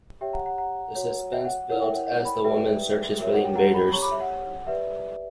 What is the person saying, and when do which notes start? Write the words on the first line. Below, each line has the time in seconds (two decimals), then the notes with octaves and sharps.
The suspense builds as the woman searches for the invaders.
0.21 G4 C#5 E5 G5
0.33 F#5 A#5
0.46 F#5 A#5
0.58 F#5 A#5
0.95 F#4 C#5
1.32 E5 G5
1.45 F#5
1.57 F#5
1.69 E4 A#4 C#5 F#5
1.82 E5 G5
1.94 F#5
2.06 F#5
2.25 G5 B5
2.44 G4 B4 D5 E5 G5
3.18 F#4 A#4 C#5 E5
3.33 F#5
3.44 G5
3.55 F#5 A#5
3.74 G5 B5
3.92 G4 C#5 A#5 C#6
4.02 B5 D6
4.11 E5
4.21 F#5
4.67 G4 B4 D5 E5